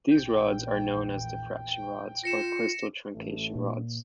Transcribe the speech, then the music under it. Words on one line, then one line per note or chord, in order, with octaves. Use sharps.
These rods are known as diffraction rods, or crystal truncation rods.
A#1 E2 G5
F4 A#6 C#7 E7
A1 A3
A#2